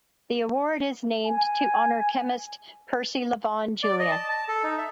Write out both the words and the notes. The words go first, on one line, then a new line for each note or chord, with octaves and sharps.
The award is named to honor chemist Percy Lavon Julian.
G#5
D5
D#5
A5
A5
A4
D#4
E5